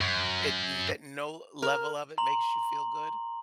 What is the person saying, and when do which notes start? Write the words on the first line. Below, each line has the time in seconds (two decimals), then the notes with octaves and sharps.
it that no level of it makes you feel good?
0.01 F#2
1.62 A#4
2.18 A#5 C6 F#7